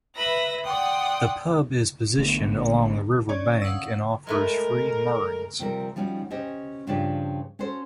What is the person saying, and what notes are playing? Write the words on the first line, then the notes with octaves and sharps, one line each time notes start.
The pub is positioned along the river bank and offers free moorings.
B4 E5 B5 A#6
D5 F#5 G5 C6 D#6
A1 D3 A3 B3
C#4 C#5 D5
F5 F#5 D#6 E6
G#3 A3 A#4 B4
C3 F3 G3 A#4
F3 G3 C#4 D#4 F#4
C#4 G4 C5 D#5
G2 C#3 F3 D4 F4 G4
C#4 F#4 A4 C5